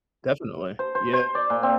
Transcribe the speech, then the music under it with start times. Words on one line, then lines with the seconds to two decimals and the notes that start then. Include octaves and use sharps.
Definitely. Yeah,
0.79 C5
0.95 C5
1.13 C5
1.35 D5
1.50 A#2
1.63 C4